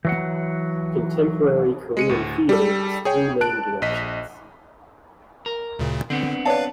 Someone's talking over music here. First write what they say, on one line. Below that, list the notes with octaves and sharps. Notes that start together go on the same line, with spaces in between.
Contemporary Korean theatre has three main directions.
E3 F#3 F#5
G#3 C#7 D#7
D2 A2
G3 A4
G#4 C#5 G5
A5 F#6 D7
A#1 D#5 B6
A#4
D2 A#2 C#3
D3 B3 C4 D4
B4 C#5 D5 F5 A5